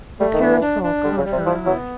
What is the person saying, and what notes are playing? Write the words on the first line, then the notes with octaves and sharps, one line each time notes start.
The parasol caught her eye.
G3 A3
D#3
E3 D4
D4
D4
D3 G3
C#3
G3
C3
F3 E4
F#3 B3